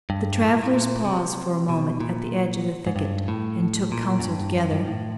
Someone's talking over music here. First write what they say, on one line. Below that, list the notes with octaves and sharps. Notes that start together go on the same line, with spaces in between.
The travellers paused for a moment at the edge of the thicket, and took counsel together.
G2
A2
A#2
A2
A#2
C3
B2
A#2
G#2
G2
A2
A#2
F#2
G2
F#2
G2
A2